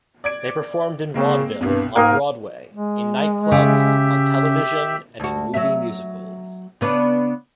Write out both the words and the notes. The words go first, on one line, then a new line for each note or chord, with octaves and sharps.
They performed in vaudeville, on Broadway, in nightclubs, on television, and in movie musicals.
D5 G#6 D7
C#3 G#3 A#3 C4
C2 G2 B2
G#2 A#3 A#4 F5 G5 D#6
G#3
C#3 G4 E5
D2 F#4
F#3 E5
C#3 B3 D4